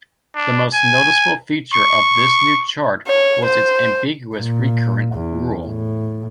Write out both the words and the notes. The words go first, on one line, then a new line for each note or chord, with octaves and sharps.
The most noticeable feature of this new chart was its ambiguous recurrent rule.
D4
G#5
C#6
C#5
C5
A#2
E2
A2